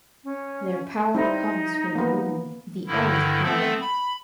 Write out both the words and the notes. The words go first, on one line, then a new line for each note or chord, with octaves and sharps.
Their Power comes from the Moon, the Old Power.
C#4
G3 C4 D#4 E4
A#3 B3
G2 D3 D#3 E4
A3 B3 C4 A4
B5